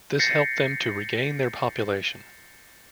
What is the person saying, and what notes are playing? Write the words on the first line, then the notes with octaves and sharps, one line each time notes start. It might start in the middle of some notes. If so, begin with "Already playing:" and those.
This helped them to regain their population.
G6 A6 A#6 C7 C#7